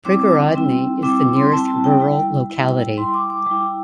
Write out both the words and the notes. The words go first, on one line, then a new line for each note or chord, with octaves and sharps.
Prigorodny is the nearest rural locality.
G3 C4 E4 D6
G3 C4 E4
G3 C4 E4 D6
D6
C6
G3 C4 E4 A5
A5
G5
G3 E4
G3 E4
G3 E4 C6
D6
D6
G3 E4